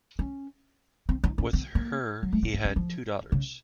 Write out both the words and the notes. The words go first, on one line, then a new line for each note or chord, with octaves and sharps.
With her, he had two daughters.
C#4
C4
D#4
C#4
C4
A#3
F#3
A3
A#3
A#3
C#4
F3
C#3